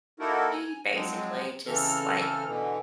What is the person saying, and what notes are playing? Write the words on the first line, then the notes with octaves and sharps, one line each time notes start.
he basically just like
A#3 D#4 E4 F#4 A4 A#4
G#5
F3 F#3 G#3 C4
C#3 E3 C4 A4 F6
B2 D3 E3